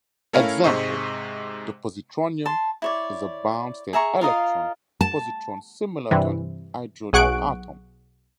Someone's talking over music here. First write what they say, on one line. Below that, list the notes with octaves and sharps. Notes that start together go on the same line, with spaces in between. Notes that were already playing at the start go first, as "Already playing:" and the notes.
Example: the "positronium" is a bound state electron-positron similar to an hydrogen atom.
A3 C#4 E4 A#4 C#5 F5
G#2 C3 G#3 C5 D#5 C#6
A5 C6
E4 C#5 D5
G#4 E5 A#5 C#6
F4 A#4 D#5 F5
A5
G2 C3 E3
B1 G#4 F#5 C#6 F#6 D7